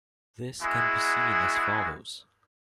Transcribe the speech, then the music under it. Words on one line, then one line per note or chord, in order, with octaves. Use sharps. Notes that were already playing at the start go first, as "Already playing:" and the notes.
This can be seen as follows.
G#3 B3 E4 F#4 G#4